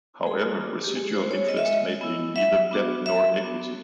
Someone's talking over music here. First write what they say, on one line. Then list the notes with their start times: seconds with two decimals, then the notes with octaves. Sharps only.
However, residual interests may be neither debt nor equity.
0.26 G3 G#4
0.61 A#3 D4 F#4
0.84 G4
0.96 G#3 G#4
1.14 C5
1.31 B3 E4 C#5
1.48 D#5
1.57 E5
1.65 G#3 D#5
2.01 B3 E4
2.36 F#3 E5
2.71 B3 D4 F#4
3.06 F#3 E5
3.41 B3 D4 F#4